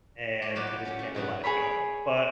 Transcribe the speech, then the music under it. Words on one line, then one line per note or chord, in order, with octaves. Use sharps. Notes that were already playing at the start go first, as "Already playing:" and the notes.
and I just kinda let it go, but,
C#5 D5
A2 F#3 F4 G4 D5
G4
C#4
A3
G#2 B2 F#3 E4
G#4 A#4 C#5 B5